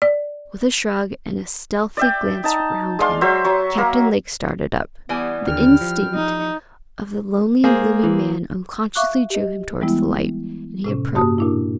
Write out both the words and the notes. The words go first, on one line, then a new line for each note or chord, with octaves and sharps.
With a shrug, and a stealthy glance round him, Captain Lake started up. The instinct of the lonely and gloomy man unconsciously drew him towards the light, and he approached.
D5
D5 E5 G5
D#4 A5
G#3 D5 F5 C6
F#3 C5 E5
F#3 C#6
A#3 A#4
E3 G3 B3 G#5
D#2 D3 G5 F6
F3
D#4
A#3 G#4 C5
E3
E5 F5 C#6 D6 F#6
G4 D#5
E3 G3 G#3 B3 E4
A2 C3 C#4
G2 A#3 F#4 G4 A5 D#6
A#2 D4 E4